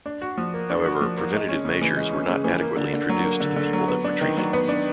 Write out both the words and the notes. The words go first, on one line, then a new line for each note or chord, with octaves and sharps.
However, preventative measures were not adequately introduced to the people that were treated.
D4
F#4
F3
A#3
D4
F#4
F3
A#3
G#3
C#4
C#3
E3
G#3
C#4
C#3
E3
A#3
D3
D3
F#3
A#3
D3
D3
F#3
B3
D4
D#3
F#3
B3
D4